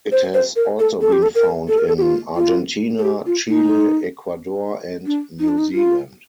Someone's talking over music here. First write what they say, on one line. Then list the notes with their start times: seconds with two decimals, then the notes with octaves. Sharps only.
It has also been found in Argentina, Chile, Ecuador, and New Zealand.
0.12 C5
0.34 C5
0.56 A#4
0.79 A4
1.01 A4
1.12 G4
1.23 A4
1.35 A#4
1.68 A4
1.78 A#4
1.88 A4
1.98 G4
2.02 F4
2.36 F4
2.99 A4
3.04 G4
3.26 F4
3.49 D#4
5.06 D4
5.40 D#4
5.49 D4
5.58 D#4
5.74 F4